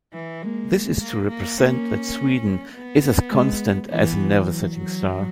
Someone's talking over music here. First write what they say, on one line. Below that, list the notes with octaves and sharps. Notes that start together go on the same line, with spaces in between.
This is to represent that Sweden is as constant as a never setting star.
E3
G#3 A#3
A#3
A#3
A#3 C#4
B3
G#3
E3 B3
F#3
F#3